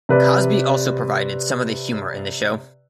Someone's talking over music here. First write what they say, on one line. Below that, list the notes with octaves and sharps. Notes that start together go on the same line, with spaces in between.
Cosby also provided some of the humor in the show.
C3 B4 D5